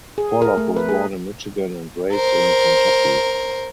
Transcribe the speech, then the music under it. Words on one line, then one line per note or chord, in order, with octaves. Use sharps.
Pollock was born in Michigan and raised in Kentucky.
G#4
A#4
A3
B4
G#4
A#4 C5